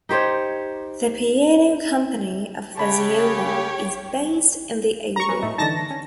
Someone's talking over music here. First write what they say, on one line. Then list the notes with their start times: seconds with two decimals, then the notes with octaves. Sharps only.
The piano company of Fazioli is based in the area.
0.09 D#4 G4 C5 C#5
2.77 C#3 G4 C#5 A5 B5
5.16 A#5 C#6
5.29 F#3 C#4 B4
5.42 A2 A3 D#4
5.58 D3 E3 D#4 A5 A#6
5.91 C#4